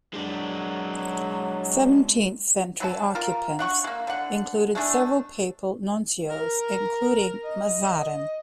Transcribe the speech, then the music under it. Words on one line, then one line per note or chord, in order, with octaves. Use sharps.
Seventeenth-century occupants included several papal nuncios, including Mazarin.
F#3 G#3 D4
F#3 B4 A5
F4 A#4
D4 F#5 C#6
G#3 A#3
D3 F#5
G#3 A3 D4 G#4
A#4
D#5